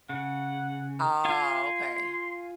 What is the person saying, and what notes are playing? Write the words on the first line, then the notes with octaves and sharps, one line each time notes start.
Ah, okay.
C#3 F#5
F4 F5 G#5 C6